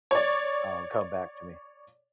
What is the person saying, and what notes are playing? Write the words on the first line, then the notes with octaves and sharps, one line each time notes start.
um, come back to me.
C#5 D5